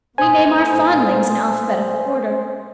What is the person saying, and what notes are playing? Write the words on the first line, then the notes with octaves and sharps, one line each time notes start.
We name our fondlings in alphabetical order.
B2 A3 C5 G#5 D#6